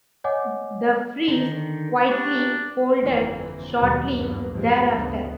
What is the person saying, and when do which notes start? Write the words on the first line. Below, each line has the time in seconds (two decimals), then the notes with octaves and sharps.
The Freeze quietly folded shortly thereafter.
0.24 C#5 D#5 F#5 G#5 D6
1.28 D3 D#3 D#4
2.09 A#3 D4 G4 C#6
3.01 G1 F2 D3 E3 A#3 C4
3.74 D#2 B2 F#3 G3
4.14 F#1 G2 F#3 A#3 B3
4.50 A1 G2 F3 G3 G#3 C4
4.93 D2 C#3 B3